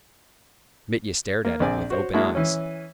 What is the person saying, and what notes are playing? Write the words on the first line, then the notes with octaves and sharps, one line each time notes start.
Mitya stared at it with open eyes.
A#3
A#1 C4 D5 G#5
F#4 C5 C#5
G#3 A#3 D4 E4 F#4 E5
E3 C#4